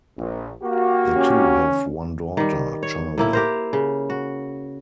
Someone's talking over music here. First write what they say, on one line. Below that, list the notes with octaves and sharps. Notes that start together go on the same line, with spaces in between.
The two have one daughter, Charli.
A#1
A#3 F#4 G4
C#4
D#3 G3
C#5
A2 A#3 E4
G4 A#4 C5
C#3
F#4